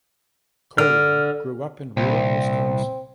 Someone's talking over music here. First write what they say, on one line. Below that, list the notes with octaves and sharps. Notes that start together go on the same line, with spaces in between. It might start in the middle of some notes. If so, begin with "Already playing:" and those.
Koehler grew up in rural Wisconsin.
D3 F6
C2 A#2 C4